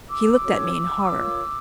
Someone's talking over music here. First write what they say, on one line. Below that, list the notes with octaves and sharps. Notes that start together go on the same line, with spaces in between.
He looked at me in horror.
D6 E6
C#4 F#4 A4 C#5
F4 A#4 C#5